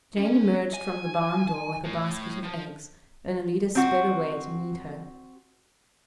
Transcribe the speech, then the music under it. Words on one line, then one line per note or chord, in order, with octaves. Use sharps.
Jane emerged from the barn door with a basket of eggs, and Alida sped away to meet her.
C#4
G#5
A2
F3
C4 F#4